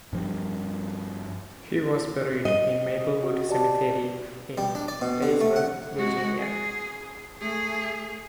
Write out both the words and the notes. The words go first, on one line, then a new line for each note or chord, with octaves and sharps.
He was buried in Maplewood Cemetery in Tazewell, Virginia.
G2 F3 G3
D#5
F#4
G4 D5 A5
G3
D4
D5
B2
D3
A3
F#5
G#3 F#4
G#4
A3 G#4